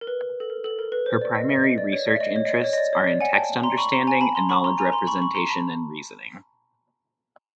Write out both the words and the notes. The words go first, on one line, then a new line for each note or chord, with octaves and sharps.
Her primary research interests are in text understanding and knowledge representation and reasoning.
A#4
B4
A4
A#4
A4
A#4
B4
C5
D5
D#5
E5
D#5
D5
C#5
D5
E5
D#5
C#5
D#5
D5
C#5
D#5
D5
C#5
D5
F#5 G#5
G5 A5
A#5 C6
B5 C#6
A#5 C6
G#5 A#5
A5 B5
A#5 C6
B5 C#6
A#5 C6
G#5 A#5
A#5 C6
B5 C#6
B5 C#6
A#5 C6
A5 B5